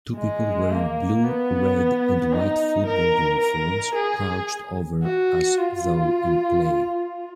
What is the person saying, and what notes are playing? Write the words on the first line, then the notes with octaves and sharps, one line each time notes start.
Two people wearing blue, red, and white football uniforms crouched over as though in play.
G#3
A#3
B3
D#4
A#4
A#4
G#4
F#4
F4